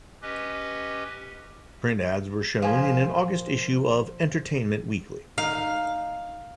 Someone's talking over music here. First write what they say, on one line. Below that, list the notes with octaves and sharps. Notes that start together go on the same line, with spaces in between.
Print ads were shown in an August issue of "Entertainment Weekly".
C#4 G4 B4 D#5
A#2 F3 F5 G#5
D#4 F5